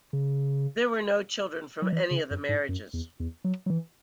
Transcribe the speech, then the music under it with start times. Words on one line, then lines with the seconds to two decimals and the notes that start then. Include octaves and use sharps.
There were no children from any of the marriages.
0.13 C#3
1.82 F#3
1.92 E3
2.11 C#3
2.31 F#2
2.49 G#2
2.69 F#2
2.93 E2
3.20 E2
3.44 F#3
3.66 F#3
3.70 E3